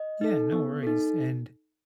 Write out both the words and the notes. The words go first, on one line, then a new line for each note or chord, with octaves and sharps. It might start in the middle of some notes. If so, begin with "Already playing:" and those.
Yeah, no worries, and,
Already playing: D#5
D#4 A4
B3
D#4 A4